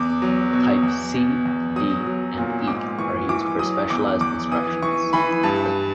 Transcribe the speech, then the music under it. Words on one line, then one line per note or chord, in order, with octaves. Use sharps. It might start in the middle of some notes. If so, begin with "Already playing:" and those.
Types C, D and E are used for specialized instructions.
Already playing: E2 D6
F#3
B2
E2
B2
E2
F#3 D#6
F#3
A#2
G#2 D6
E3 C#6
E3 D6
F#3 D#6
E2 D6
E2 D6
E3 D#6
E3 C#6
E3 B5
G2 A5